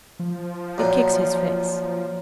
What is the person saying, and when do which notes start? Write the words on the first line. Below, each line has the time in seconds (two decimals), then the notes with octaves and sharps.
It kicks his face.
0.19 F3
0.78 F#2 A#2